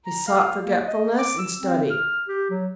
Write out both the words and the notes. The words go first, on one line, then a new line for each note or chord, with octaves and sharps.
He sought forgetfulness in study.
A#5
F5
A#3
D#5
D6
E6
C4
F6
G4
F#3